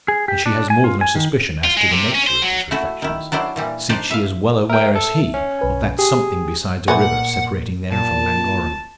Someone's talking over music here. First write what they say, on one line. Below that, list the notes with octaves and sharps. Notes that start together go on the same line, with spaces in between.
And she has more than a suspicion as to the nature of his reflections; since she is well aware as he of that something besides a river separating them from Llangorren.
G#4
G4
D4
G#5
F4
G#5
D#3
F4
G#3
C3
C#4
C5
F#3
A3 E4 F#4
D#3 E4
F#3 D4 E4 C5
A#2 E3 G3
D4 D#4 G4 C5 D5
E5 F5
A#4 E5 G5
A4
C#4
B1 B4 G#5
G4 G#4
A#2 A3 B4 F#5 G#5
A#2 A5